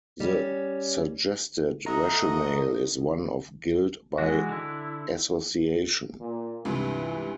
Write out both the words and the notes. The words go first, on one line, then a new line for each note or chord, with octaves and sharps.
The suggested rationale is one of guilt by association.
G3 C#4
A4 D#5 E5 F#5 A#5 C#6
E3 G#3 F#4
D3 E4
A#2
C#2 G2 C3 E3